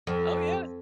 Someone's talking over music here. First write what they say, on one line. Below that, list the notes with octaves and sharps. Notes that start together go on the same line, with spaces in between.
Oh, yeah.
F2